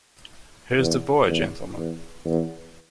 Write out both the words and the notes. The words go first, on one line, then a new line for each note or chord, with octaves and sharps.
Here's the boy, gentlemen!
E2
E2
E2
E2